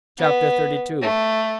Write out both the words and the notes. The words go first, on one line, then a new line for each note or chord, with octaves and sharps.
Chap. XXXII.
B3
A3